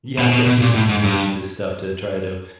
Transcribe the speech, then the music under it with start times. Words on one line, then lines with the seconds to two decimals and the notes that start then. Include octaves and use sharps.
Yeah, I guess people do listen to stuff to try to,
0.19 B2
0.33 B2
0.46 B2
0.61 A#2
0.75 A2
0.89 G#2
1.04 G2